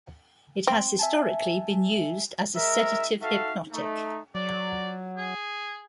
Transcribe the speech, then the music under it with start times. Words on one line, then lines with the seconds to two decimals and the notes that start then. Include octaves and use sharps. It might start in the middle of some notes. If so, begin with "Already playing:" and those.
It has, historically, been used as a sedative hypnotic.
0.67 C4
0.99 E5 G#5 A5
2.55 G#3 A#4 E5
3.22 F#4 A4 E5 F5
3.72 A3 D#4
4.35 F#3 D5
5.17 G#4